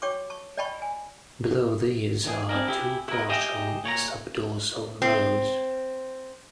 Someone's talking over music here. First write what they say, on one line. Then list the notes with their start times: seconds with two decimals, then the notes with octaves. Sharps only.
Below these are two partial subdorsal rows.
0.02 F#4 C#5 G5 C#6 D6
0.30 A5 C#6
0.57 D5 D#5 G5 A5 B5 C#6
0.82 G#5
2.24 A2 E3 D4 G#4
2.49 C4 D4 E4 F#4 G#4 A#4
2.68 E4 G4 G#4 E5
3.08 E4 F#4 A#4 D#5
3.29 G4 G#4 D#5 E5 G5
3.84 A#2 C#5 D5 A#5
5.02 C4